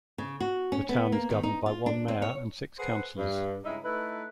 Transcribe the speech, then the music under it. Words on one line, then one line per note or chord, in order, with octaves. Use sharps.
The town is governed by one mayor and six councillors.
C#3
F#4
C#4
B3
A#3
D#3
D#4
F4
D4
C4
C#5
G#4 A4 B4 C5 F#5
G2
G2 C#3 G#3 D#4 E4 E5
A3 D#4 E4 A4 B4